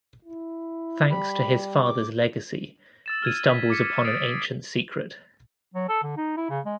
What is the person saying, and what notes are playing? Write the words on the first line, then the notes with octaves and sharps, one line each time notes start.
Thanks to his father's legacy he stumbles upon an ancient secret.
E4
G3 B5
D6
E6 A6 E7
F6 G#6 D#7
B6
D6 B6 C#7
D#6 A6 C7 D7
F#3
A4
D3
D#4
E4
C#3
G#3